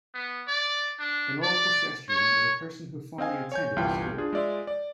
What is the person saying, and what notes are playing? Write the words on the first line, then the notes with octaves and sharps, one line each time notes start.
An Old Colcestrian is a person who formerly attended the school.
B3
D5
D4
D5
C#5
C4 D#5 F5 G#5
C#5 G#5 G6
G1 C2 E3 F4 F5 G5
D4 F4 G#4
G#3 F4 D5 E5
D5